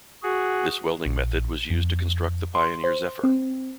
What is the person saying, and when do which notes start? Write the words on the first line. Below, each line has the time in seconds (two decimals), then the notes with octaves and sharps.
This welding method was used to construct the "Pioneer Zephyr".
0.23 F#4 G#4
1.06 A#1
1.70 F2
2.55 C6
2.84 C5
3.24 C4